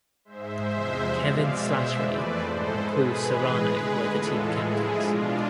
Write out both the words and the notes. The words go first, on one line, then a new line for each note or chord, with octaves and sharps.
Kevin Slattery and Paul Serrano were the team captains.
G#2 G#3 C5 E5
E2 C3 F3 G#3
B2 G#3 D5 F5
B2 G#3 C5 E5
F2 E3 A3 B4 D5
G#2 G#3 A4 C5
B2 G#3 G#4 B4
A2 E3 G#3
E2 D3 G#3
A2 E3 G#3 F4 A4
A2 F3 G#3 E4 G#4
B2 G#3 D4 F4